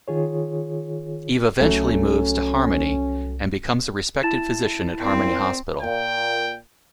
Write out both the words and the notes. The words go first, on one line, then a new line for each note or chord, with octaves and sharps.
Eve eventually moves to Harmony and becomes a respected physician at Harmony Hospital.
D#3 F4 G#4 C#5
C2 F#3 A3 C#4
E4 A5 A6 E7
A#2 C4 C5
A#2 G5